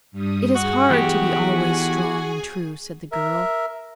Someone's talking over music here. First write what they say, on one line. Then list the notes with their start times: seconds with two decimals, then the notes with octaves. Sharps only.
"It is hard to be always strong and true," said the girl.
0.11 G2 G3 D#6
0.55 G2 F#4 G#4
0.90 E2 G4 G#4
1.46 G#4 G#5
3.12 A#4 E5